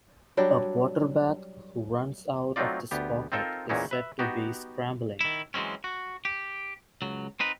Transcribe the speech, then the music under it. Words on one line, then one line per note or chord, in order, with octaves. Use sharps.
A quarterback who runs out of this pocket is said to be scrambling.
F#3 G3 D4
F#3 A3 C4 D#4 F4 D5
D2 B3 G4
C4 D#4 F4 A4 A#4 C5
E2 A#2 B3 C#4 D#4 E4
B4 E5
B3 D#4 F#4 G4
D#3 E4
E3 F#3 G#3 C4 C#4
F#4
G4
C#2 F#3
C4 D#4 B4